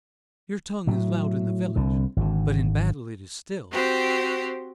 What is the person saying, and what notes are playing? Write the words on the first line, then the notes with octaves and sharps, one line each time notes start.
Your tongue is loud in the village, but in battle it is still.
A2 F#3
C2 D3
G#1 D3
C4 F#4 G4 C5